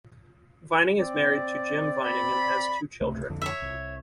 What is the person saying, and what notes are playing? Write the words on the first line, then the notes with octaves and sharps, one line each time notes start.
Vining is married to Jim Vining and has two children.
C4 D5
B5
C#2 C3 A3
F2 D3
C#5 E5
C2